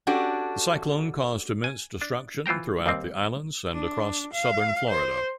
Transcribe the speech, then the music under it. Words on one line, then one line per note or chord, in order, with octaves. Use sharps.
The cyclone caused immense destruction throughout the islands and across southern Florida.
C#4 D4 F#4 G4 A4
G#5
D4
E3 F4 C5 G5 A#5
D#2 G3 C4
D4
F5
C5